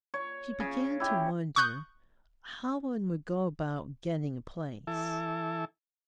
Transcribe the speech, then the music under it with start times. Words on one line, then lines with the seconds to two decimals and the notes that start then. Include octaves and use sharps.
She began to wonder how one would go about getting a place.
0.14 C#5
0.60 C#3
1.00 E4 G4
1.56 C#6 D#6 F#6 G6
4.87 E3 E4 A4